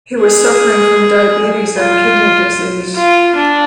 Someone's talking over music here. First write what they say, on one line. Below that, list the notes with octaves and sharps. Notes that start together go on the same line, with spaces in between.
He was suffering from diabetes and kidney disease.
G#4
F4
F4
D4